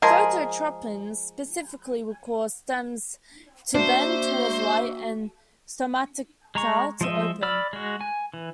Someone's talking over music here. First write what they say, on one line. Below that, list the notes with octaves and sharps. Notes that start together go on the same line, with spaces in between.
Phototropins specifically will cause stems to bend towards light and stomata to open.
F3 G#3 G#4 A#4
A#3 D4 F#4 C5 E5
G#3 A#5 C#6
F3 G#3 D#5 E5
D5 B5 E6 F6
G#3 F#4
G#5
E3